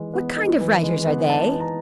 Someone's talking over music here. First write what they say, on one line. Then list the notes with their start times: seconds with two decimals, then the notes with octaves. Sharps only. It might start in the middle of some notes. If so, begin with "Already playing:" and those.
What kind of writers are they?'
Already playing: E3 G#3 D#4
0.13 B3
0.36 D#4
0.60 E3
0.83 G#3
1.06 B3
1.29 D#4 A5
1.52 E3
1.60 A#5